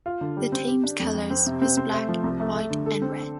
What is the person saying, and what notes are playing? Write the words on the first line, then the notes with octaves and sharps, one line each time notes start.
The team's colours was black, white and red.
F4
D3
G3
C4
G4
D4
F2
F2
C4
C3
C4
C4
A3
F3
C2
A3
A3
D3
A4
C4